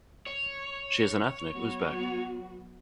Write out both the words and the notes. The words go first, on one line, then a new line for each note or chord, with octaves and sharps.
She is an ethnic Uzbek.
C#5
F#3 B3 F#4